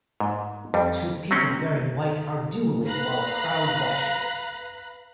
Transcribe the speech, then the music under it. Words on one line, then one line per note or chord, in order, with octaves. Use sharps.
Two people wearing white are dueling while a crowd watches.
G#2
F2 G3
F#3 C4 C#4
B4 F5 A#5 B5 F#6